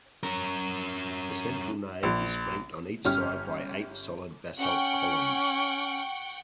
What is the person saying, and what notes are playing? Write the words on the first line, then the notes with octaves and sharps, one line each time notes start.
The central nave is flanked on each side by eight solid basalt columns.
C#4 A#4
A#1
G1 C#4 G4 F6
C#4 F#5 G5 C#6